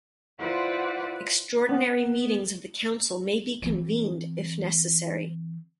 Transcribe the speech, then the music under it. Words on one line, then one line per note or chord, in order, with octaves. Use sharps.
Extraordinary meetings of the Council may be convened if necessary.
E4 F4 B4 C5 D5 F#5
B3
E3 C4